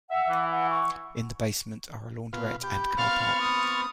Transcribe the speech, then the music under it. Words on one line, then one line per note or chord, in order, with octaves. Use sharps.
In the basement are a launderette and car park.
E5 F#5
E3
F#5
C#6
B2 F4
G4 B5
B3 C4 F5 C#6 F6 A6
D#6